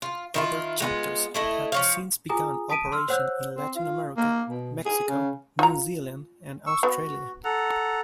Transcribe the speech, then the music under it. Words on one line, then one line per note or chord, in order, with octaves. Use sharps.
Other chapters have since begun operation in Latin America, Mexico, New Zealand, and Australia.
F4
D#3 E4 F4
G#3 B3 F4
A3 E4 D#5
F3 C#5 F5
F4 G#4 G#5 A#5 D#6
A5 D#6 B6 D7 D#7
C6 E6 F6
C5 C#5 F#5 E6 F#6 G6
C4
F4
A#3
B2
G#4
C#3
F4 A#5
C#6 E6
B3 F#4
A4 F#5 A#5